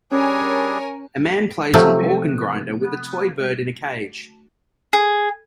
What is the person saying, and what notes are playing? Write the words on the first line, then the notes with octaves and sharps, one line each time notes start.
A man plays an organ grinder with a toy bird in a cage.
G3 C#4 D4 G#4 A#4 C#5 G#5
C3 F3 F#3 A3
G#4